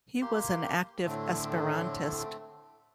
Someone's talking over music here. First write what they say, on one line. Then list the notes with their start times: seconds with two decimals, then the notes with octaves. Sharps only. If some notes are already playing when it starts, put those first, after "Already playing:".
He was an active Esperantist.
0.22 A#3 G4 C6
1.05 A2 D3 A3 C4